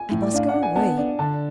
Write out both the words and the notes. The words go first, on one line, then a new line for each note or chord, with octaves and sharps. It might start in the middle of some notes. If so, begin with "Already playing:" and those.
I must go away.
Already playing: G#5
A2
D5
D4 F5
F#5
D4
G#5
B3 A5
D4
D3 A5